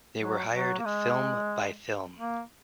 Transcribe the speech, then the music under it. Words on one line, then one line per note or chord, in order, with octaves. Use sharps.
They were hired film by film.
F#3
F#3
A#3
G#3
A#3